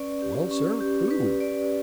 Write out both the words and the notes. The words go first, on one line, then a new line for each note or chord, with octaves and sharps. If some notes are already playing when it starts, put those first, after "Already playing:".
"Well, sir, who?"
Already playing: C#4 B4 D5
G4
C#4
G4
B4
D5